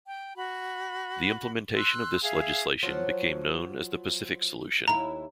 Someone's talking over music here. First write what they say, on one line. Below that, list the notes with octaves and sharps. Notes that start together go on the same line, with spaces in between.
The implementation of this legislation became known as the Pacific Solution.
G5
F#4 B5
C6 E6 F#6
G#4 E5 F5
F3 F#3
D#2 E4 A#5